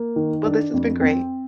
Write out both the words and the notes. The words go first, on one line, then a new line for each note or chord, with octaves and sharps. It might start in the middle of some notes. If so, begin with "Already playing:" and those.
Well, this has been great.
Already playing: A#3
D#3
D4
F2
C4